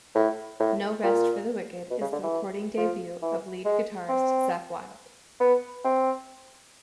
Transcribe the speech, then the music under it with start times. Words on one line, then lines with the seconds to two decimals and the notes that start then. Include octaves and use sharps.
"No Rest for the Wicked" is the recording debut of lead guitarist Zakk Wylde.
0.15 A2
0.60 A2
1.03 A#2
1.90 B2
2.01 C#3
2.12 D3
2.23 E3
2.77 F3
3.22 E3
3.65 G#3
4.09 C4
5.40 B3
5.84 C4